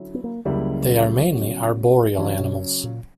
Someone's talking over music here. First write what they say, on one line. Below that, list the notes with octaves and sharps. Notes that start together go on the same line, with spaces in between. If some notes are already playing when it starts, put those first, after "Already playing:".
They are mainly arboreal animals.
Already playing: D3 F#3 C#4 E4
B3
A#3
C#2 C#3 F#3 G3 A#3 E4
C#3 G3 B3 F#4 C#5
C#3 E3 F#3 C#4
B2
A#2